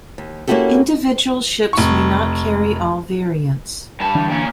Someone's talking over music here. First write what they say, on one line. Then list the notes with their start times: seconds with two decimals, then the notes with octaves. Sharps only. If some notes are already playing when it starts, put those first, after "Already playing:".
Individual ships may not carry all variants.
0.18 D#2
0.47 A#3 C#4 E4 F#4 G4 A4
1.73 F1 C#6
4.01 G2 A5
4.15 D3 E3 D4
4.30 A#2 C#4